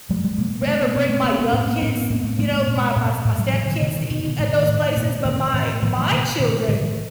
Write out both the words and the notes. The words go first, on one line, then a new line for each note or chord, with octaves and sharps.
rather bring my young kids, you know, my my s my step kids to eat at those places, but my my children,
B2 F#3 G#3
F#3 G#3
B2 G#3 A#3
A#3
B2 A3 B3
B3
B2 C4
A3 B3
B2 A#3 C4
B3 C#4
A2 B3 C#4
A#3 C4
A2 C4 D4
B3 C#4
A2 A#3 C4
A3 B3
A2 G#3 A#3
G#3 A#3
A#2
A#2
A2
F#3 G#3
A2 E3 F#3
D3 E3
B2 D3 E3
D#3
B2 D#3
D3
A2 D#3
D#3
A2
A#2
A#2 D3 E3
D#3
A2 D#3
A2 D#3 F3
E3 F#3
A#2 D3 E3
A#2 D#3
A2 D3
D#3